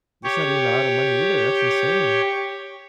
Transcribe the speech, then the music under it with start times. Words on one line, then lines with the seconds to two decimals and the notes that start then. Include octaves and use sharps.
That's not even a lotta money either, that's insane.
0.24 G4 C#5